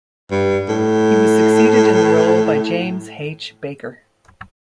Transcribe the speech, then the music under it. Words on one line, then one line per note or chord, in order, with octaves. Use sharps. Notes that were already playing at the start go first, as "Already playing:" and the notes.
He was succeeded in the role by James H. Baker.
G2
A2